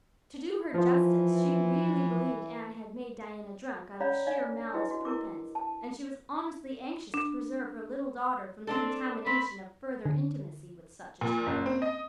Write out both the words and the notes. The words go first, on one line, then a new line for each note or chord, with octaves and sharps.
To do her justice, she really believed Anne had made Diana drunk out of sheer malice prepense, and she was honestly anxious to preserve her little daughter from the contamination of further intimacy with such a child.
E3 F3 F4
C#4 C#5 D5 F5 A#5 B5
D4 D5 F5
D4 E4 F#4 G#4 B4 D#5
F#4
E4 A#4 D6
A5
D4
C4 D4 A4
C4 B5
D3
A#2
F#1
C4
D#5